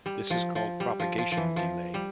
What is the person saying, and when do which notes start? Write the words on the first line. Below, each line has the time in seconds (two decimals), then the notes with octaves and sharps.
This is called "propagation delay".
0.06 G3
0.30 F3
0.55 F3
0.80 G3
1.00 F3
1.18 F3
1.32 F3
1.37 E3
1.56 F3
1.94 G3